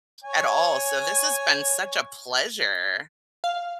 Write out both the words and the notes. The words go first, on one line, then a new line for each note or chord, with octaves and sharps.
at all, so this has been such a pleasure.
C#5 G#5
F5